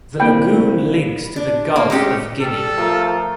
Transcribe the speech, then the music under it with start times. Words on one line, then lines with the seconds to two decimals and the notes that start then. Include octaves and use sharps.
The lagoon links to the Gulf of Guinea.
0.20 C2 A#3 G5 B5
1.36 D4
1.76 A#3
1.90 G#3 A3 C#4 G4
2.41 G3 A4
2.78 F3 A3 A#4